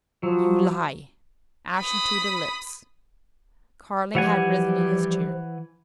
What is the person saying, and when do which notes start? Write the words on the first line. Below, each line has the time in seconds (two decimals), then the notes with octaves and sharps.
"You lie!" Ashen to the lips, Carling had risen in his chair.
0.23 F3 F#3
1.79 B5 D#6
4.15 E3 F3 G3 F#5 G#5